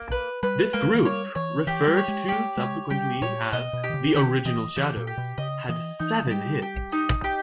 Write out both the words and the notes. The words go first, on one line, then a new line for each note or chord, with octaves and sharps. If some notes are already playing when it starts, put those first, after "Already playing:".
This group, referred to subsequently as "the Original Shadows", had seven hits.
Already playing: A#3
B4
G3 B4
G#3 A#3
E3
G3 C#5
E3 C#5
E3 G4
G3
C#5
G#3
G#3 G4
G#3 C#5
G3 G4
A#2 C#5
B2 D#5
B2
G4
D#3
C#3
D#3 G4
E3 D#5
E3 G4
A#2
G4
B2
C#3 D#5
E3 D#5
E3 D#4
E3
G3 G4
G4
D#4
G4